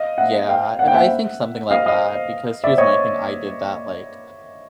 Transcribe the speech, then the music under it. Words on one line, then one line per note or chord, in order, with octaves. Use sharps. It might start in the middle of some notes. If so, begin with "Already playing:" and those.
Yeah, and I think something like that, because here's my thing, I did that, like,
Already playing: D#5 F5
E5 F#5
F5 G5
F#5
G5
E5 F#5
D#5 F5
D#5 F5
D5 E5
C#5 D#5